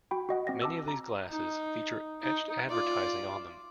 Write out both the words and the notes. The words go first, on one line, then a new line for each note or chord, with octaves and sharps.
Many of these glasses feature etched advertising on them.
F#4 G5 B5
F#4 D#5 F#5
C4 D#5 A#6
A5 D6 E6
A#5
D#4
D#4
F4 D5